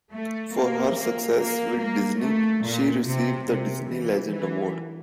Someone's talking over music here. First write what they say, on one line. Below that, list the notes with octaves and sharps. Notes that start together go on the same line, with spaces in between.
For her success with Disney she received the Disney Legend Award.
A3
A#3
A#3
A#3
A#3
A3
A#2
C3
C3
E3
E3